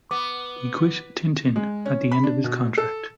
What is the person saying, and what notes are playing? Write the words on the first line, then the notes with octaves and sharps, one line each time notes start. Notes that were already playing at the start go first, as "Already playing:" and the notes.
He quit "Tintin" at the end of his contract.
B3 D6
G#3
C#4
B5
D4
B2
A4